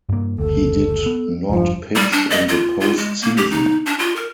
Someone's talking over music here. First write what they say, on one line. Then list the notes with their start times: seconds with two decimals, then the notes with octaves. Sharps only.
He did not pitch in the post season.
0.09 G2 A#3
0.38 F#1 D2 A4
1.06 B3
1.50 E1 G2 F3
1.96 G3
2.12 D4
2.30 D#5
2.48 F4
2.80 F4
2.98 G#3
3.22 A#3
3.37 G4
3.51 D#4
3.86 D4
3.99 F4
4.16 A#4